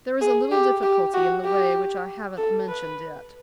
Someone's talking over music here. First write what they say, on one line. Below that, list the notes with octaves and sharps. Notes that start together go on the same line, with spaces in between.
There is a little difficulty in the way which I haven't mentioned yet.
G#4
G4
G4
F#4
G4
A4
B4